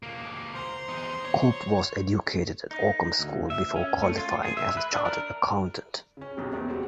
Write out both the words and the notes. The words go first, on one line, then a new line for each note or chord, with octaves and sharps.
Cope was educated at Oakham School before qualifying as a Chartered Accountant.
C#2 A#3
C5 A#5 C6
E2 D#4
C#5
D#4
D2
E5
C#4
A3
F4
G#4
E5
B4
D4
A#4
C#3 C#4
B1 F2 C#3 F#3 G3
E2 A#3 C4
G3 G#3 C4 F#4